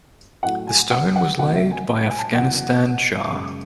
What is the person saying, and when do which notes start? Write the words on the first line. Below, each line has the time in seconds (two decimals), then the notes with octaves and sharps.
The stone was laid by Afghanistan Shah.
0.43 A2 F#3 A3 F#5
0.67 G#5
0.91 F#5
1.16 F#5
1.39 C#2 C3 F#3 A3 F#5
1.55 E5
1.71 G#5
2.09 G#5
2.18 A5
2.34 E2 C#3 F#3 F#5
3.30 F#2 C#3 G#3